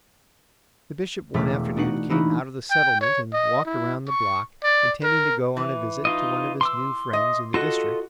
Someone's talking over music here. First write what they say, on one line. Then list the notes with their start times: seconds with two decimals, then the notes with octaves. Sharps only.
The Bishop one afternoon came out of the Settlement and walked around the block, intending to go on a visit to one of his new friends in the district.
1.34 E1 A3 A#4 D6 B6
1.77 D4 D#4 F#4 F#5
2.10 E3 A#3 D#4 E4 F#4
2.71 G5
3.01 C#5
3.33 D#5
3.66 E4
4.09 C#6
4.64 D5
5.03 A#4
5.57 E3
6.05 D#4 F4 D#5
6.61 C6 D6 E6
7.13 D#5
7.54 F4 F#4 A4 D#5